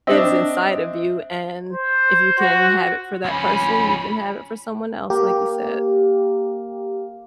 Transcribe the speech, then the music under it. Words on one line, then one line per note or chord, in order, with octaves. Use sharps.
is inside of you and if you can have it for that person, you can have it for someone else, like you said.
C4 D4 D#5 E5
C5
F#4
F3 C#4 B5
A#3 G4